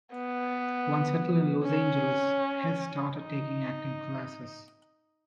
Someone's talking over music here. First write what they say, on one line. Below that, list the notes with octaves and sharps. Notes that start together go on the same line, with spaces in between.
Once settled in Los Angeles, Hess started taking acting classes.
B3
C#4
D#4